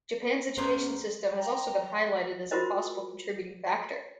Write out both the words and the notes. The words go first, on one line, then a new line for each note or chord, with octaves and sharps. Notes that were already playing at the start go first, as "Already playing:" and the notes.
Japan's education system has also been highlighted as a possible contributing factor.
E2 B3 C#4 B4 C5 A#5
G5 A#5
F4 F#4 A#4 C5 D#5